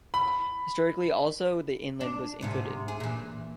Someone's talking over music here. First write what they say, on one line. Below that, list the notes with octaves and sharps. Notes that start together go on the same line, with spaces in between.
Historically also the inland was included.
B5
D4
D2 G#2 C3
G#4
A#2 E3